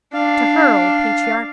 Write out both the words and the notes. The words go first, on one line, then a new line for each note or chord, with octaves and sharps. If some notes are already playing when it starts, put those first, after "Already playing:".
To her, old patriarch!
D4 F5